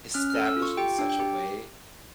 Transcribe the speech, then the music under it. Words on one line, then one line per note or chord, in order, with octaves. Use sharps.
established in such a way
C#4 F6
A4 F6
E6
F4
C#6
G4 G5
D4
G5
G4